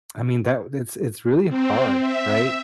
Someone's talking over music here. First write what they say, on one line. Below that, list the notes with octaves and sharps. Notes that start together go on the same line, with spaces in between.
I mean, that it's it's really hard, right?
C4
E5